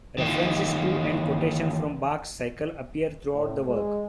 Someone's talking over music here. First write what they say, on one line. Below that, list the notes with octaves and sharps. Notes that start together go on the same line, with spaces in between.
References to and quotations from Bach's cycle appear throughout the work.
D#3 E3 A#3
A2
G#3